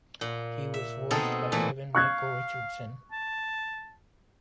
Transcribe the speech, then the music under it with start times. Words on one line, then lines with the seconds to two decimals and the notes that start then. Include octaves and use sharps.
He was voiced by Kevin Michael Richardson.
0.21 A#2
0.74 E5
1.11 B2 C4 D#4 G#4 A4
1.52 A#2 E3 A3
1.95 F5 C#6 F#6 G#6
3.12 A5